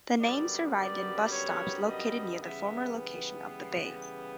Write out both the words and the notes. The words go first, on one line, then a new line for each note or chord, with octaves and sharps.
The name survived in bus stops located near the former location of the bay.
F#2 D3 G3 B3 D5
D5
C#5
D#5
C#3 E3 G3 B3 E5